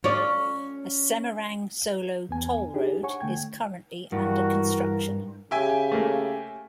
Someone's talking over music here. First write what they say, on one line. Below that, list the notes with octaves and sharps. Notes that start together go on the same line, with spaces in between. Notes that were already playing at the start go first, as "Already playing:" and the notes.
A Semarang-Solo Toll Road is currently under construction.
C#4 F4 D5
E2 B3 G#5
D4 D#4 G4 G#4
C#5 F#5 G#5 C#6
D3 A3 G5 G#6
G2 E3 F#4 A#4
C#3 G4 E5 G#5
A3 A#3